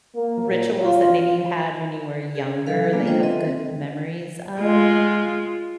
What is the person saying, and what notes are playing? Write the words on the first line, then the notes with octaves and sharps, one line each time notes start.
rituals that maybe you had when you were younger that you have good memories of?
A#3
A#2
F4
G#4
F#3 A4 B4 F5
G#3 A#3 B3 D4 F4
F4 C5 D#5 G5
C4 A4 B4 D#5 E5
G#3 F4